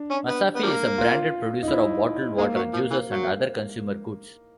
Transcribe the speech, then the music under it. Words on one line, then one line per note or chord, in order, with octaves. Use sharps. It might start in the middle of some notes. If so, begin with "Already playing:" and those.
Masafi is a branded producer of bottled water, juices and other consumer goods.
Already playing: D4
C#4
B3
B3
F3 G3 A#3
F4
D#4
E4
G#3 A#3
F#3
F3
E3
F#3